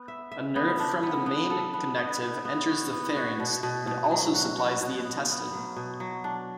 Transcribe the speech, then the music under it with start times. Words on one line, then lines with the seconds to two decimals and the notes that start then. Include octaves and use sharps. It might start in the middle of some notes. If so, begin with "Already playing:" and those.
A nerve from the main connective enters the pharynx and also supplies the intestine.
Already playing: B3
0.08 E5
0.32 E5
0.56 B3
0.80 D4
1.03 B3
1.26 B3
1.50 A4
1.74 B3
1.98 B3
2.22 B3
2.45 B3
2.69 F#4
2.92 B3
3.16 F#4
3.40 B2
3.63 B2
3.87 B2
4.11 F#3
4.34 F#4
4.58 F#4
4.83 B2
5.05 B3
5.29 B3
5.53 F#3
5.76 B2
6.00 F#3
6.24 D4